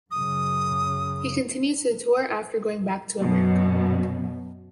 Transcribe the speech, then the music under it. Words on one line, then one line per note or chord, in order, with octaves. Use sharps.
He continued to tour after going back to America.
F#2 C#3 D#6
F#2 B2